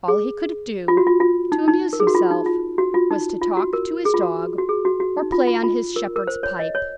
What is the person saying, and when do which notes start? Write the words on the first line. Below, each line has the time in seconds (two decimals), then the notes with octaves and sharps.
All he could do to amuse himself was to talk to his dog or play on his shepherd's pipe.
0.08 G#4
0.88 F4
0.97 F#4
1.07 F4
1.20 F4
1.52 D#4
1.68 D#4
1.93 A#4
2.00 G#4
2.07 F#4
2.15 F4
2.31 D#4
2.46 F4
2.78 F#4
2.94 F4
3.11 D#4
3.42 F4
3.57 F#4
3.73 A#4
4.05 G#4
4.14 F4
4.21 F#4
4.58 F#4
4.69 G#4
4.85 F#4
5.00 F#4
5.17 D#4
5.32 F4
5.47 F4
5.64 F4
5.96 A#4
6.16 A#4
6.27 C5
6.43 C#5
6.59 D#5
6.75 C#5